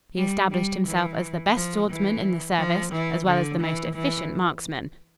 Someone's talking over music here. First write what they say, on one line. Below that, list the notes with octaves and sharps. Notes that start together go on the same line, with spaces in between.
He established himself as the best swordsman in the service, as well as the most efficient marksman.
G3
G3
E3
F3
E3
F3
E3
D3
E3
E3